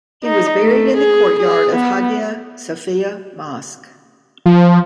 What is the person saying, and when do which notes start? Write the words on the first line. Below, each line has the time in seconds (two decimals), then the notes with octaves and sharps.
He was buried in the courtyard of Haghia Sophia Mosque.
0.24 D#4
0.61 A3
0.97 G#4
1.39 G#4
1.76 B3
4.46 F3